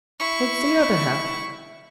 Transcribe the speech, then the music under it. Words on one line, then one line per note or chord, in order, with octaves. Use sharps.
What's the other half?
E4 C#6